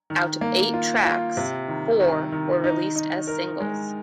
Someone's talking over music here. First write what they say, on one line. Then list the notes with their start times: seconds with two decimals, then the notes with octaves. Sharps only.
Out of eight tracks, four were released as singles.
0.10 D#3
0.41 A#3
0.74 F4
1.05 F4
1.37 C3
1.68 D#3
2.00 D#3
2.32 D#3
2.64 D#4
2.96 D#4
3.27 A#4
3.60 G#3